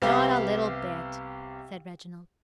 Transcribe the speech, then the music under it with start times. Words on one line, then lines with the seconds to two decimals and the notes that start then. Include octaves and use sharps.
'Not a little bit,' said Reginald.
0.02 C2 B3 G4 F5